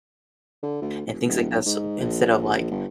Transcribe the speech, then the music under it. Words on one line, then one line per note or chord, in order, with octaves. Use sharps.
and things like that, so instead of, like
D3
D2
F1
D#1
B1
G#2
A#1
G1